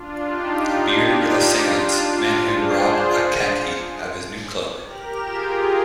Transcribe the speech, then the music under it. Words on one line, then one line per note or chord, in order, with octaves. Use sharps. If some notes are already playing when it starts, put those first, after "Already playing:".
Bearded Assailants: Men who rob Akaky of his new cloak.
Already playing: D4 F4
D#4 G4
D#4 G4
D4 F4
D4 F4
G#4 C5
G4 A#4
F4 G#4